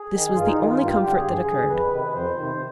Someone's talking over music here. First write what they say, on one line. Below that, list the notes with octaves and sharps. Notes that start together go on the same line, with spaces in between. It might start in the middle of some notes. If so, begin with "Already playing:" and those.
This was the only comfort that occurred.
Already playing: G#4
D#3
G2 F4
D#4
D#3 F4
F4
G2 F4
G4
F4
D3 G4
G#4
G2
D3
F2 B4
C3 D#3
B4
F2 C5
C3 D#3